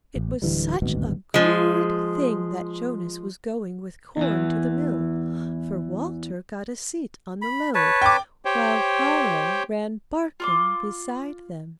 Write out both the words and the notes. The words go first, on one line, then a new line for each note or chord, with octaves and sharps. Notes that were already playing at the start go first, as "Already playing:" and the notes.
It was such a good thing that Jonas was going with corn to the mill, for Walter got a seat on the load, while Caro ran barking beside them.
A1
D1 D3 E3 G3
D#1 G#1 D2 B2
F3 G#3
E2 E3
B5
B4 C#5 A5
G5 D6
G4 C5 C#5 G5
F4 C6 D6